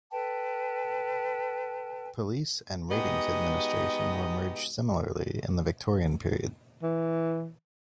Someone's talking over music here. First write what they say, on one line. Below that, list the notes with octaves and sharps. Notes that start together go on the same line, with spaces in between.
Police and ratings administration were merged similarly in the Victorian period.
A4 B4 G5 A5
G#3 B3 D#4 F#4 G4 D#5
E3